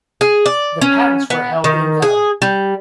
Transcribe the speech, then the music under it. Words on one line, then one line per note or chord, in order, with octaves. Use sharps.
The patents were held invalid.
G#4
D5
C#4
B3
D#3
G#4
G3